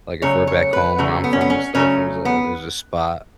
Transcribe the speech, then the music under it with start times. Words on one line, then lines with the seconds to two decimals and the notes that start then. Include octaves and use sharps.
like, if we're back home where I'm from and stuff, there's a there's a spot,
0.22 C#3 F#3 A3 C#5
0.47 C#5
0.73 B4
0.98 C#3 F#3 A3
1.24 B3
1.33 C#4
1.41 B3
1.50 C#4
1.75 C#3 F#3 A3 C#4
2.25 B3